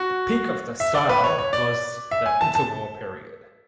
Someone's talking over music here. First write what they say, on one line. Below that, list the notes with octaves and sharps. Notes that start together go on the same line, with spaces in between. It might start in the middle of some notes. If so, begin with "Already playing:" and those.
The peak of the style was the interwar period.
Already playing: F#4
E5
D5
B4
C#5
C#5
D5
E5
G#5
A5
A5